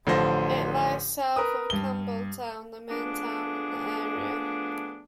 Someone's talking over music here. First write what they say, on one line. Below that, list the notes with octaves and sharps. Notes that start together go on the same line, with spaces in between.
It lies south of Campbeltown, the main town in the area.
A1 D3 F3 C5 A#6
A#4 B4 D#6
G2 G7
F3 A3 B3 D4 G#4